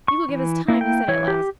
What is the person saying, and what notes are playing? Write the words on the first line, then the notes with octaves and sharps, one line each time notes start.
"You will give us time," he said at last.
C#6
E3
A#3 E4
G5
E3 C#5
G4